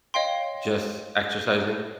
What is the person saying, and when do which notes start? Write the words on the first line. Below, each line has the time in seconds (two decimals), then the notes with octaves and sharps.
just exercising.
0.14 C#5 D#5 F5 G5 C6